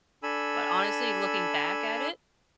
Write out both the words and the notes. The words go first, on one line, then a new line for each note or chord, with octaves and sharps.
but honestly, looking back at it
D4 A4 G#5 B5 E6